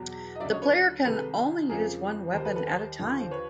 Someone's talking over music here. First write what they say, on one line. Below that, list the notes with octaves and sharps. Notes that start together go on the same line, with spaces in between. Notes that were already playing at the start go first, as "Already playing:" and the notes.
The player can only use one weapon at a time.
Already playing: E2 B2 F#3
D#5
D2 C#3 F#3 D5 E5
C#5 D#5
B4 C#5
C2 C3 D#3 G#3 A4 B4
F2 C#3 F3 G#3 G#4 A#4
D#2 D#3 G3 A#4 C5
A4 B4
A4 B4
A#4 C5
D#2 D3 F3
C5
B4 C#5